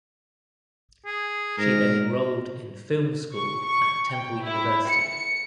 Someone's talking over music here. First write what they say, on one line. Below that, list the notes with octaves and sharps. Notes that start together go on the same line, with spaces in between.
She then enrolled in film school at Temple University.
G#4
G#2 A#4
C#6
C#6
G5
E4
C#7